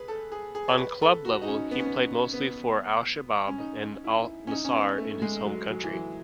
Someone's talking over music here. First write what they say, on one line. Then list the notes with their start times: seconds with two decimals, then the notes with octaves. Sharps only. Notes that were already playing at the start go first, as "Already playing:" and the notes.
On club level, he played mostly for Al-Shabab and Al-Nasr in his home country.
Already playing: G#4 B4
0.08 A4
0.32 G#4
0.55 G#4
0.68 C#5
0.78 B4
1.02 A4
1.25 F#4
1.42 D#4
1.48 C#4
1.71 B3
1.79 C#4
1.86 B3
2.33 B3
3.47 C#4
3.58 D#4
4.04 E4
4.47 C#4
4.51 D#4
4.65 C#4
4.75 B3
4.98 A3
5.22 G#3
5.45 F#3
5.68 F#3
5.84 E3
5.91 F#3